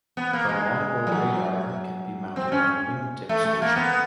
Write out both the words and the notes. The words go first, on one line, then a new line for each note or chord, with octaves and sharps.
The Longbow radar can be mounted on a wingtip station.
B3
A#3
G#3
G3
F#3
C4
C#4
A3
A3
A#3
B3